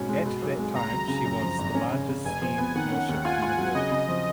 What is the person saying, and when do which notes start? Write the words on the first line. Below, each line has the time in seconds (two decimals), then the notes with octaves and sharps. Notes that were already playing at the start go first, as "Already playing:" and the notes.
At that time she was the largest steam warship in the world.
Already playing: G#2 B2 C#4
0.09 G#3
0.25 B2
0.42 B1
0.59 G#3
0.75 C#2 A#5
0.92 F#3
1.08 C#3
1.25 F#2
1.42 F3
1.59 G#1
1.75 C#4
1.92 C#3
2.09 C#3
2.25 F1 G#5
2.42 F3
2.58 B3
2.75 D#3 F#5
2.92 C#4
3.09 D#2
3.25 F4 G#5
3.42 F4
3.58 F#3
3.75 C#3 D#5
3.91 C#3
4.09 F3